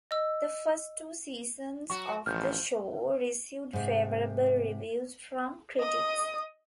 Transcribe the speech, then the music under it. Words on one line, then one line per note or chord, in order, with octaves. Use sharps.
The first two seasons of the show received favorable reviews from critics.
D#5 E6
F#3 F#4 C#6
A1 B2 F3 F6 G6
G#2 C3
D#5 D#6